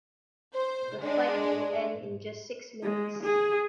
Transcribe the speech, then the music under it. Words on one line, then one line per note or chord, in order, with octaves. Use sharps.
The fight will end in just six minutes.
C5
G#3 D4
G#3
G#4